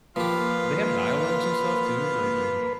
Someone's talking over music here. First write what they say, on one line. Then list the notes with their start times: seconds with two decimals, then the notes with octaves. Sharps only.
They have dialects and stuff too, like in
0.16 F3 A#3 B3 F4 G4 B4